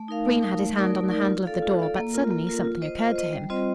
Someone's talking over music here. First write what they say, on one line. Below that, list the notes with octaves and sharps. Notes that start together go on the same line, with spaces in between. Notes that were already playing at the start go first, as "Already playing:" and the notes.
Green had his hand on the handle of the door, but suddenly something occurred to him.
Already playing: A3
D#4 A#4 F5
A3
D#4 A#4 F5
A3
D#4 A#4 D5
A3
D#4 A#4 D5
F4
A4 D5 F5
F4
A4 D5 F5
A#3
F4 A#4
A#3
F4 A#4
F4
C5 D#5
F4
C5 D#5
G3
C4 F4 C5 D#5